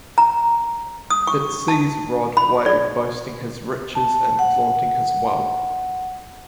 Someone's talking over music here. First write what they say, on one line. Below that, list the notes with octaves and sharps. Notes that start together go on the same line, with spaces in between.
It sees Rod wave boasting his riches and flaunting his wealth.
A#5
D#6
C#6
A5
B5
D5
A5
F#5